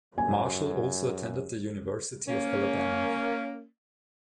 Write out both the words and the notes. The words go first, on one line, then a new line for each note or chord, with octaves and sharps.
Marshall also attended the University of Alabama.
F#2 G#5
A#3 C#4